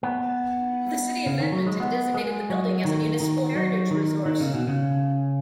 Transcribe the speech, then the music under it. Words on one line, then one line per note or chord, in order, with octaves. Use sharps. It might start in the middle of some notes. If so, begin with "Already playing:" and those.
The City of Edmonton designated the building as a Municipal Heritage Resource.
B3
C#3
D#3
F#3
G#3
B3
G#3
F#3
D#3
D#3
F#3
D#3
D#3
C#3
B2
C#3